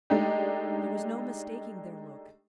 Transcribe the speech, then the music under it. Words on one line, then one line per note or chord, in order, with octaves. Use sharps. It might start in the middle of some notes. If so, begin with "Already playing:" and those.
There was no mistaking their look.
G#3 A3 D4 D#4 G4